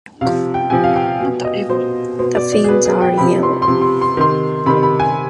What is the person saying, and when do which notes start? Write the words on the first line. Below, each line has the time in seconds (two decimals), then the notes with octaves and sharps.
The fins are yellow.
0.21 C3 F3 F5
0.54 G5
0.70 C3 F3 G#5
0.84 F5
0.96 G5
1.20 B2
1.44 D#5
1.69 B2 C5
2.19 B2 C5
2.35 D5
2.52 D5
2.64 G#4
2.68 B2 B4
2.85 G#4
3.02 G5
3.18 C3 F3 B5
3.43 C6
3.62 C6
3.67 C3 F3
3.82 C6
4.01 C6
4.17 C3 D#3 C6
4.66 C3 D#3 B5
4.83 B5
5.00 G#5